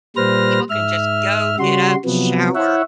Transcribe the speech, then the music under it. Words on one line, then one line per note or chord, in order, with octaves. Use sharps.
some people can just go, get up, shower,
A#2 G3 B4 C5 F6 A#6
G#2 E5 F6
C#3 G3 F#4 C6
C3 F3 F#3 B3
E4 C#5 E5 F#5